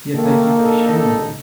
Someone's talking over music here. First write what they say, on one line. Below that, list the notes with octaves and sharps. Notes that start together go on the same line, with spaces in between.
Yeah, thank you for sharing, yeah.
D#3 A3 A#3 A4
A#1 D#4 A4